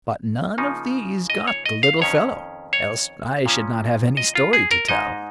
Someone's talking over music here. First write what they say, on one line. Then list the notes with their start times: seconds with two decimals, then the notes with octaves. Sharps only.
But none of these got the little fellow, else I should not have any story to tell.
0.58 C#3 F3 A#3 D#4
1.30 D#5
1.47 C#5
1.66 D#5
1.83 F5
2.01 F2 D#3 C#4 C#5
2.73 C#5
3.46 A#2 F3 C#4
4.17 D#5
4.35 F4
4.53 G#4
4.71 A#4
4.88 G#2 G#3 D#4 D#5